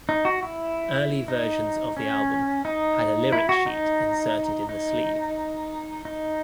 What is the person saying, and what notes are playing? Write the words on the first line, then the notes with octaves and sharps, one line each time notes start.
Early versions of the album had a lyric sheet inserted in the sleeve.
D#4
F#4
E4
D#4
C#4
D#4
E4
F#4
D#4
D#4
D#4